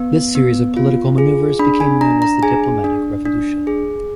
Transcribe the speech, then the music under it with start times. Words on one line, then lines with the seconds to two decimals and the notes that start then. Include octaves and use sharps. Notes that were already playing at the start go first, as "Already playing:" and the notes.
This series of political maneuvers became known as the Diplomatic Revolution.
Already playing: B3
0.35 B3
0.77 F4
1.18 G#4
1.59 D4 B5
1.80 G#5
2.01 D4 A#5
2.22 A#5
2.43 G#4 G#5
2.84 D4
3.25 D4
3.67 G#4